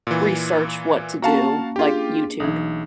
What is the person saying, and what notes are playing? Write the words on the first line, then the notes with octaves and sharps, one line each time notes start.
research what to do, like YouTube.
A#2 E3
A#3 C#4 F#4 F5 A5
D4 F4 G4 G#4
B1 E3 D#4